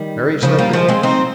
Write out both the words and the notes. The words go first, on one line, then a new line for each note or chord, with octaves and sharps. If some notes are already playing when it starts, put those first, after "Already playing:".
"Very slippery?"
Already playing: D#3 G3
C#3 F3
G3 A#3
F3 G#3
G#3 C4
C4 D#4